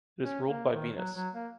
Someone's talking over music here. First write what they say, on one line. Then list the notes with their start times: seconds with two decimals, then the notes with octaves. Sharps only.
It is ruled by Venus.
0.22 C#4
0.47 A#3
0.72 D#3
0.96 F#3
1.15 F#3
1.34 A#3